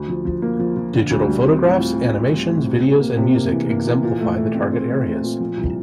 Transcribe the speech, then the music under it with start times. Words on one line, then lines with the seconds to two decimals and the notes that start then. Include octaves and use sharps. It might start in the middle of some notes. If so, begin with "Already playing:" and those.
Digital photographs, animations, videos and music exemplify the target areas.
Already playing: D2
0.08 F3
0.25 F3
0.42 A#3
0.59 F3
0.76 F3
0.94 D3
1.10 D2
1.28 G3
1.46 C4
1.63 A2
1.79 F4
1.97 F4
2.14 C4
2.31 G3
2.48 A2
2.66 C3
2.83 C3
3.00 A#3
3.17 C3
3.34 A#3
3.51 E3
3.69 A#3
3.85 E3
4.03 A#2
4.20 A3
4.37 A3
4.54 C4
4.72 C4
4.89 A3
5.06 A3
5.23 A#2
5.40 F3
5.57 C2